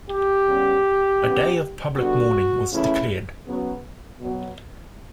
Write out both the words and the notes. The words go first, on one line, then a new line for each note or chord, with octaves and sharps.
A day of public mourning was declared.
G4
C#3 G3 B3
C#3 E3 B3
D3 G3 B3 F#4
C#3 E3 A3 E4
C#3 F#3 B3
B2 F#3 B3